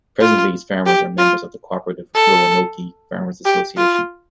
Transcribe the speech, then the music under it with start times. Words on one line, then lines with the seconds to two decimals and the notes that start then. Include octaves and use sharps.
Presently, its farmers are members of the cooperative Roanoke Farmers Association.
0.21 F4
0.86 G4
1.18 F4
2.15 A4
3.45 G4
3.77 F4